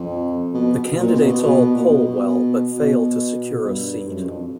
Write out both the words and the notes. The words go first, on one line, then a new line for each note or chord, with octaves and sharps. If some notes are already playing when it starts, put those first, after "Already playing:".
The candidates all poll well but fail to secure a seat.
Already playing: F2
B2
A#2
B2
B2
B2
A#2
B2
B2
G2
F#2
F2